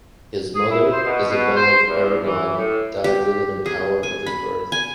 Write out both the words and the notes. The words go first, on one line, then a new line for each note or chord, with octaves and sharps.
His mother, Isabella of Aragon, died within an hour of his birth.
G#4
E4
C5
B2
B2
C5
E2
E3
A2
G4
G#4
G#5
B5
G#5